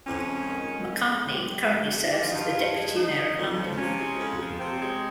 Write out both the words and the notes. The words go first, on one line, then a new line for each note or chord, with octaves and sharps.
McCartney currently serves as the Deputy Mayor of London.
F2 C#4
G#3
D#3
F2
F2
G#3
D#3 G4
F2
G2
G#3
F3 G4
F4
G2 D#4
F4
G2
G#3
F3 D#4
G2
F2
F3
C3 C#4
G#3
F2
F3
C3 C4
G#3